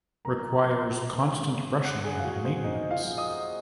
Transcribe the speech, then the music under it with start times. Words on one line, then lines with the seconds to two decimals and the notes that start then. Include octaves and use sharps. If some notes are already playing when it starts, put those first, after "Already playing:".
Requires constant brushing and maintenance.
0.25 A#1 A#4 A#5
0.64 A#1
1.05 G#3
1.45 G#3
1.85 G#3 F#5 F#6
2.04 G#4 G#5
2.19 F5
2.24 A#1 F#4 F#5
2.45 C5
2.64 A#1 D#4 D#5
2.91 F4 F5
3.04 A#1
3.18 D#5 D#6